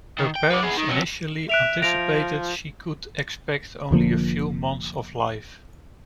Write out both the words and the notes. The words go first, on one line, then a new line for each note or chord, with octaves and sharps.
Her parents initially anticipated she could expect only a few months of life.
D#3
G5
B4 D5
B3 G#4
D#3
F2 F#3
E5 F#6 D7 F7
F3 A#6 D7 F7
F1 D3 F3 A#3